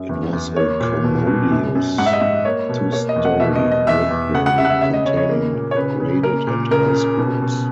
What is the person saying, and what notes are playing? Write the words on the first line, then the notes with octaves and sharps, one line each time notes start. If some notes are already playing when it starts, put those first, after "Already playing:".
It was a commodious two-story brick building containing the graded and high schools.
Already playing: F#2
E2
E2
A#3 C#5
A#2
B2
B2
F#2
F#2
G#2 F#5
E5
D#5
G#2 E5
A#3 C#5
B2
A#3 C#5
D#5
E2
F#5
B2 E5
D#5
B2
D#5
E2 E5
E2
C#3 F#5
F#5
C#3 E5
F#5
E5
C#3 E5
D#5
C#3 C#5
C#5
A#3
A#2
C#5
C#3 B4
C#3
A#3 A#4
A#2
C#3 A#4
C#3
B2
B2